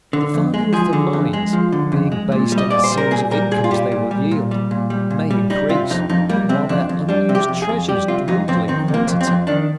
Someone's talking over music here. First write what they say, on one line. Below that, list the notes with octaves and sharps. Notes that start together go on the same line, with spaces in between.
The value of the mines, being based on the series of incomes they will yield, may increase while their unused treasures dwindle in quantity.
D3
F2
G#3
F3 G#4
D3
F2
G#3
F3
D3
F2
G#3
A#2
G3
D#5
A#2 D5
C5
G3
A#4
A#2 G#4
G3 A#4
A#2 G#4
F4
G3 G4
A#2
G3
A#2
G3
A#2
G3
A#2
G3
G3 D#4
C3 F4
F2 D#4
F2 D#4
G3 A#3
C3 C4
F2 D4
F2
G3 D4
C3
G4
F2
G#4
F2
G3 G4
C3 F4
F2 D#4
F2 C4
D#3 C4
C3
A#3
F2
C4
F2
D#3 D4